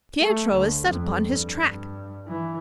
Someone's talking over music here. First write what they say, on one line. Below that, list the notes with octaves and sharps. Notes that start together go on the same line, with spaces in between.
Pietro is set upon his track.
A3
D2
F2
G2
G2
E3